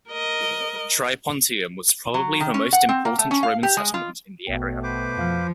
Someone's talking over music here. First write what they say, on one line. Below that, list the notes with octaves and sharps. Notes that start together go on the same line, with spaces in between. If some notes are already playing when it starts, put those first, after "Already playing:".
Tripontium was probably the most important Roman settlement in the area.
A#4 D#5
F#3
D#3
C#4
F#5
C4
A#3
A3
C#4
F5
G4
G#3
F4
A#1 B2 A3 G5
B4 C5 D6
F2 F3 F5 F6